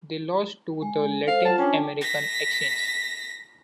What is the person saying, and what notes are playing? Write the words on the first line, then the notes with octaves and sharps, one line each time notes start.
They lost to the Latin American Xchange.
G#3
A4 C5 F5
F4 F#5 A5
C#4 D4 G5 A5
A#6 B6